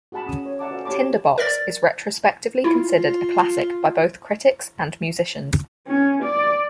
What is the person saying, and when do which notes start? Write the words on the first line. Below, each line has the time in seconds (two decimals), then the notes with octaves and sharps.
"Tinderbox" is retrospectively considered a classic by both critics and musicians.
0.12 F#4 G#4 F#5 A5 B5
0.26 C#4 D#6
0.46 C#5
0.59 D5 E5 F#5 A5 A#5 D6
0.71 F#4 A4 C5 D5 F5 G#5
0.85 F#4 G4 C#5 A5 B5 D6
1.38 A#4 D5 A6
2.64 E4 F4
5.87 C#4
6.23 D5